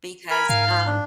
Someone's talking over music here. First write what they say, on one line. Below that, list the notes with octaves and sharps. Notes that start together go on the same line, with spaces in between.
because, um,
A#4 G#5 B5 F6
G#2 F5
D4